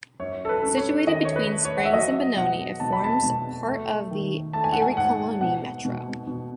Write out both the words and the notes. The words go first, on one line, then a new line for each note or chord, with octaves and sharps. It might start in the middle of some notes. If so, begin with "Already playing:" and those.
Situatued between Springs and Benoni, it forms part of the Ekurhuleni Metro.
F#2 C#5
A4
B4
C#4
C#5
D#3 D#5
C#5
B4
A3
C#5
F#5
E5
F#3 D#5
B2 F#5
B2 A5
B5
A5
B2
A3
D#3
A3 A5
G#5
F#5
G#5
G#2 F#5
B2 F#5
B2
B2